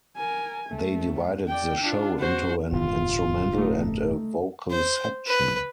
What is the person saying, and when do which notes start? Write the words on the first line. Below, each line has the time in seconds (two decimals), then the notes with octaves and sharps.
They divided the show into an instrumental and a vocal section.
0.17 A#4 G#5
0.70 A3
1.48 D5 G5
1.81 D4 F4
2.19 F#4 C5
2.72 D1 G2 C3 F4
3.58 A3 D#4
4.71 C5
5.27 B4